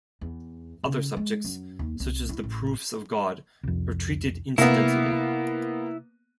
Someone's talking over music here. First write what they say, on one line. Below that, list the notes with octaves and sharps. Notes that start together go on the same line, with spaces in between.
Other subjects, such as the proofs of God, are treated incidentally.
E2
C#3
G#3
F#2
D#2
C2
E4
A1
C2 F2
C3 A#3 B3 E4